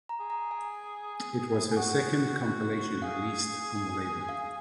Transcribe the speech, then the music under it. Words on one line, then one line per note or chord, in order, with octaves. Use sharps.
It was her second compilation released on the label.
A#5
G#4
A#5
G#5
G#5
F#4 F#5
F#4
F#4
G#4 F5
F5